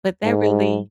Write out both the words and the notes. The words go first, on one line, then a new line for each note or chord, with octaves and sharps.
but that really
G#2